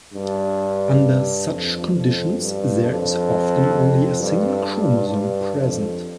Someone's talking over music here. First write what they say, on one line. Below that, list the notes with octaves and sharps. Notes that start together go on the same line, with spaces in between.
Under such conditions there is often only a single chromosome present.
G2
F2
F2
G2
F2
G2
G2
G2
F2